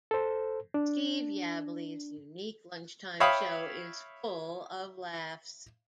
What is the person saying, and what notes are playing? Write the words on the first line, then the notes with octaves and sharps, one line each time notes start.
Steve Yabsley's unique lunchtime show is full of laughs.
A4 C5
D4
C#5 E5 F5 G5 B5 D#6